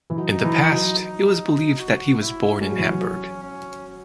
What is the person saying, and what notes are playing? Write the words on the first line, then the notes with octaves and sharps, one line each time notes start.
In the past it was believed that he was born in Hamburg.
E3
F#3 D#4
E3
F#3
D#4
F#4
E4
G#3 C#4
F#3
E3
F#3
C#4